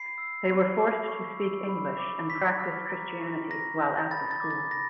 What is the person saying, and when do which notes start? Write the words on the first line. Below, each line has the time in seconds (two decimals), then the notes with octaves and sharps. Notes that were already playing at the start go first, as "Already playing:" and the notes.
They were forced to speak English and practice Christianity while at the school.
Already playing: B5 C7
0.18 E6
0.47 B5
0.78 D6
1.08 C#6
1.39 E6
1.69 B5
1.99 D6
2.29 C#6 B6
2.59 F6
2.90 A#5
3.19 C#6
3.50 A#5 A#6
3.80 D#6
4.11 B5 A6
4.31 A6
4.41 D6
4.51 A6
4.71 B5 A#6